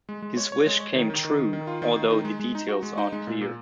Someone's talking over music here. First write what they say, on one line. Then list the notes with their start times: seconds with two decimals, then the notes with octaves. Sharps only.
His wish came true, although the details are unclear.
0.09 G#3
0.22 G#3
0.37 C#5
0.52 C#5
0.67 G#3
0.80 C#5
0.95 D#3
1.10 D#3
1.25 D#3
1.39 D#3
1.53 D#3
1.67 F4
1.82 D#3
1.96 D#3
2.11 D#4
2.25 G#3
2.40 G#3
2.55 D#4
2.69 F#4
2.83 G#3
2.98 D#4
3.12 G#3
3.27 A#2
3.41 A#2